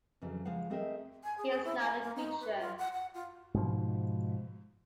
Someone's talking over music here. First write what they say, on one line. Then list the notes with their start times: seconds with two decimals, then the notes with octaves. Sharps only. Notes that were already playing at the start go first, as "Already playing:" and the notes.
He is not a creature.
0.22 F2 C#3 E3 F#3
0.45 C#3 F3 G#3 F5 F#5
0.70 A3 C4 G#4 A#4 D#5 E5
1.24 G#5
1.38 G#4
1.51 G#4
1.65 E4
1.81 G#5
2.02 A#3
2.16 D#4
2.41 B4
2.60 F4
2.79 F#5
2.93 F#5
3.14 F4
3.54 G#2 B2 F3